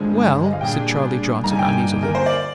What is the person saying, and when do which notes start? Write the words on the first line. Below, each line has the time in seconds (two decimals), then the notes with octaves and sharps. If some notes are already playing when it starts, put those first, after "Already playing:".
"Well--" said Charlie Johnson uneasily.
Already playing: G2 D3 F3 G#3 G#5
0.45 D#5
0.53 F5
0.61 A#2 G3 D4 G#4 G5
1.43 G2 D3 G3 A#3 D#4 A#5
1.51 G#5
1.59 G5
1.67 G#5
2.03 A#4
2.15 C5
2.26 D5